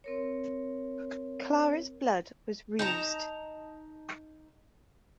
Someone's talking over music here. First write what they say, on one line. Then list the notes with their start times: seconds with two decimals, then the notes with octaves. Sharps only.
Clara’s blood was roused.
0.04 C4 A#4 C#5
2.79 D#4 A5 A#5